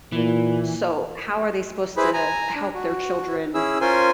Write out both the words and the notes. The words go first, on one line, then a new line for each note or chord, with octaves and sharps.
so, how are they supposed to help their children
A#2 E3
E4 G#4 B4 C5 B5
G#5 A#5
D4
F#4
C#4 E4 G#4 E6
C#4 F4 A#4 C5 G#5 C6